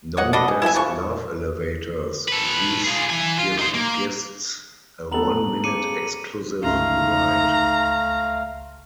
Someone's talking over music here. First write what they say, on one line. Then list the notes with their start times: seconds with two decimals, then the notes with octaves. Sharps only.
Known as Love Elevators, these give guests a one-minute exclusive ride.
0.17 C#5 D#5 F#5
0.33 D4 F#4 B4 D#5
0.48 G#4
0.62 E4 E5 G5 G#5
0.75 E3 F3 C#6
2.28 A4 B4
2.84 F4 G#4
3.10 E3 G#5
3.39 F4
3.59 D#4 C5
3.75 A#3
5.12 F1 B3 A4 A#5 F#7
5.64 C#3 D6 C#7 D#7
6.63 G1 C#2 A3 D#4 F5 A#5 C6